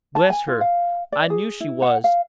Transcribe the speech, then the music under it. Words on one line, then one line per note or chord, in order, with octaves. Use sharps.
Bless her, I knew she was!
A5
G#5
F4
F5
D5
G#4
E4
F#5
F5